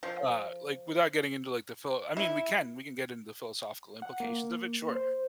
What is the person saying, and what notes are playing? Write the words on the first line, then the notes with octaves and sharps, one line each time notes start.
uh, like, without getting into, like, the philo I mean, we can we can get into the philosophical implications of it, sure,
F3
E4
F#5
A#3
C5